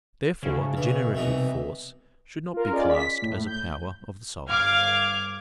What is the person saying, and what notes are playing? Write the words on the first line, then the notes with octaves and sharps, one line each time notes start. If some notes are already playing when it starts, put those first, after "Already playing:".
Therefore the generative force should not be classed as a power of the soul.
D2 C#3
B2 E3
C2 B2 E3 D#4
F4 A#4
C#4 F4 G#4 D5 D#5
B6
A2
G6
G1 F5 D6 F6 G#6